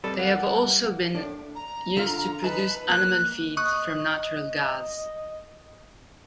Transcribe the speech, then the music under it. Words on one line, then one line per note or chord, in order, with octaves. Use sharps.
They have also been used to produce animal feed from natural gas.
C3 G3 A4 B4
A#3 F#5
A2 D4
A#5
D3 F4
D#4 B4 A5
A#3 F#6
D#5 C#6 D#6 F#6